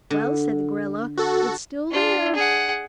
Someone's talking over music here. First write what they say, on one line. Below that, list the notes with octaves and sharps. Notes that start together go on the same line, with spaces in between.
"Well," said the gorilla, "it's still there!"
D3
F#4 A4
D4 F4
G#4 F#5